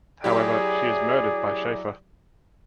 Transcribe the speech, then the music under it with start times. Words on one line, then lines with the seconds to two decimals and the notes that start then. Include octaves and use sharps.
However, she is murdered by Shafer.
0.24 F#3 E4 G4 G#4 D5